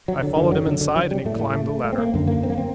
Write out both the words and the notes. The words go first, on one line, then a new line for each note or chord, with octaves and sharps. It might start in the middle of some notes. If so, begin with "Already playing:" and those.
I followed him inside and he climbed the ladder.
F#3
D3
F#2 D3 D#3
F#3
D3
D3
F#3
G3
A2 A3
A3
A3
A3
A3
C4
A#3
F#2 D3
A#3
C4
A#3
C4